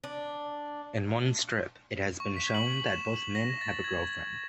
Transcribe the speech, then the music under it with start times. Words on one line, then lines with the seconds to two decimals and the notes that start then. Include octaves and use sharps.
In one strip, it has been shown that both men have a girlfriend.
0.04 D4
2.20 C#6
2.37 B6
2.54 F#7
2.93 E7
3.16 F#7
3.35 A#6
3.61 A6
3.84 G#6